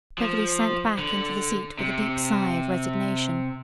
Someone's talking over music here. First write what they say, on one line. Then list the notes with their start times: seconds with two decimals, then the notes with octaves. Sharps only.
Beverly sank back into the seat with a deep sigh of resignation.
0.18 F3
0.98 D3
1.79 C3